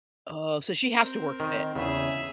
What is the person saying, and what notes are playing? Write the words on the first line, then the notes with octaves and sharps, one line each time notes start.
Oh, so she has to work at it.
C4 A#4
D#3
E2 C#3 G#4 E5